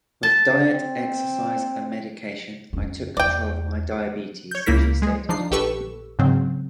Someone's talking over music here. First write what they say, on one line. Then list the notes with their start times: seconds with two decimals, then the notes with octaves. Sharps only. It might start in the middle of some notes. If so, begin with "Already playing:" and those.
"With diet, exercise and medication, I took control of my diabetes," she stated.
0.23 A5
0.73 C4
2.73 F2 C#4
3.17 E2 D5 G5
4.51 C#5 G6
4.66 C#2 A#3 E4 A#4 B6
5.02 G#3 G#4
5.29 F3 D4 D#4 C7
5.51 A#1 G4 A4 B4 C#6 E6
6.19 G#2 C#3 F#3 C4